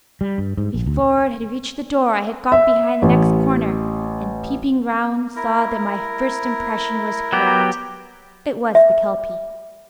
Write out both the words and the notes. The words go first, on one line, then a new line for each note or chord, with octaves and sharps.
Before it had reached the door I had got behind the next corner, and peeping round saw that my first impression was correct: it was the Kelpie.
G3
G2
G#2
A#1
D2
E5
A1
E4 A#4
F#3 B3 G4
E5